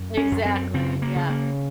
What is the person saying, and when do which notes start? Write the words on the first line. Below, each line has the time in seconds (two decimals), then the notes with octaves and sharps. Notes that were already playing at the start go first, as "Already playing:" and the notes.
Exactly, yeah.
Already playing: F#2
0.17 C#4
0.31 F#2
0.45 C4
0.74 C#3 C4
1.02 A#3
1.16 C#3
1.30 A#3